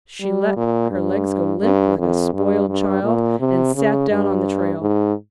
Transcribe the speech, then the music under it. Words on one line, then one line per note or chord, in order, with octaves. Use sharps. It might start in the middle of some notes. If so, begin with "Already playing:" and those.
She let her legs go limp like a spoiled child, and sat down on the trail.
G3
A#2
G2
G2
F2
G2
G2
A#2
C3
C#3
G2
G#2